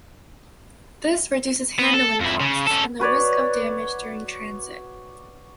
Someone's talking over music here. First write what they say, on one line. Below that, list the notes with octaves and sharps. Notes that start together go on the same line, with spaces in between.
This reduces handling costs and the risk of damage during transit.
B3
A4
F2 E4
C#3
C#4 A4
F#4 B4 C#5 D5